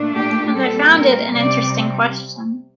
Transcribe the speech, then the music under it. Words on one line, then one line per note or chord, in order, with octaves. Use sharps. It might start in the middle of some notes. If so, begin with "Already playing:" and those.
And I found it an interesting question.
Already playing: A#2 A3 D4
G4
A#2 G3 C4 A4
A#4
C3 G3 C4 D5